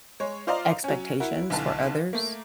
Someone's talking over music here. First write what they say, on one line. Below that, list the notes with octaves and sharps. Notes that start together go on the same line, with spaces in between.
expectations for others,
G#3 C#5
F4 C5 D5 D#5 F5 A#5
F#3 C#4
E4 F#4 A#4
B1 D3 E3 A5
A3 A#3